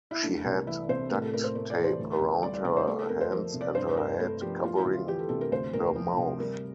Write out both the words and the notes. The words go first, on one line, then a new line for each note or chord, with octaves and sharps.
She had duct tape around her hands and her head covering her mouth.
E4
A3 D4
C2
E3 E4
C3 C5
A2 A#4
A4
A2 A#4
C5
A3 A#4
D5
E3
C5
D2
D2
G3 D5
D5
C3 D5
C5
A3 A4
A4
F2 A#4
C5
F3 A#4
C3
D5
G2 C5
G2 A#4
A3 A4
F3 G4
A3 F4
E4
D2
F4
E3 G4
A4
C3 A4
A#4
D2 C5
D2 A#4
F3
C3
G3 A#4